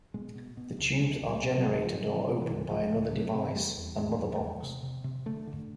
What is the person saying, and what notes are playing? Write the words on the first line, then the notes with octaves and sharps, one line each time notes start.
The tubes are generated or opened by another device, a Mother Box.
B2 G#3
B2
B2
C#2
C#2 G#3
C#2
G3
B2
F#3
C#2
C3 F3
C3
E3
C3
E3
C#2
C#2 F3
C#2
C3 F#3
C3
E2 G3
E2
E2 G#3
E2
A3
E2 G#3
C3
C3
C3
D3 A3
D3